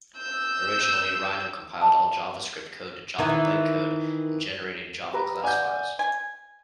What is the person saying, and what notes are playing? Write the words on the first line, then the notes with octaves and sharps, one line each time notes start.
Originally, Rhino compiled all JavaScript code to Java bytecode in generated Java class files.
E6 G6
A5
D#3 E3
G4 B4 A#5
D5 F#5 G#5 G6
G#5